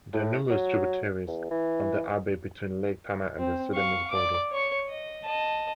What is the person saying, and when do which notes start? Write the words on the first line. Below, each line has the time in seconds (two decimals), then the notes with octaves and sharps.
There are numerous tributaries of the Abay between Lake Tana and the Sudanese border.
0.13 A2
0.50 F#3
1.27 E2
1.51 E3
3.39 C4
3.75 F5 C#6
4.11 D5 D6
4.51 C#5 C#6
4.88 D#5
5.25 D#5 A5